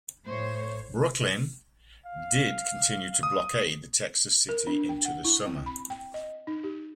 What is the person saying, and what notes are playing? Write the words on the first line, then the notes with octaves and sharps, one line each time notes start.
"Brooklyn" did continue to blockade the Texas city into the summer.
A2 C5 C#5
F5
D#6
A#4
D4
G5
F#5
E4
C4
B5
G5
D#5
D#4
G4